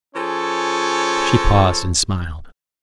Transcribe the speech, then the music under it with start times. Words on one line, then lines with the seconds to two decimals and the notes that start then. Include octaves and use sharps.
She paused and smiled.
0.14 F3 C#4 G#4 A4 C#5